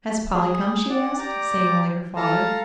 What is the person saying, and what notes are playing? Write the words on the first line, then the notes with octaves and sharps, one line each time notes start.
"Has Polly come?" she asked, seeing only her father.
G#4
D5 F#5
G4 D5 A#5 D6
F4 A4 F5 A5 A#5